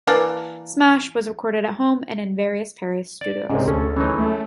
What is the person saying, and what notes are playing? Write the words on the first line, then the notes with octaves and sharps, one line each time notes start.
"Smash" was recorded at home and in various Paris studios.
E3 A#3 D4
D5
C2 G#2 C3 C#4 G#4
D2 C#4 A4
E3 F#3 C#4 D#4
A3